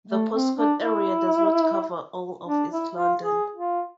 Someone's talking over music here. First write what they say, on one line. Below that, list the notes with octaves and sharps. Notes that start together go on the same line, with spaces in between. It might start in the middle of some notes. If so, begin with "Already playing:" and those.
The postcode area does not cover all of East London.
A3
C4
D4
E4
D4
E4
F4
G#4
F4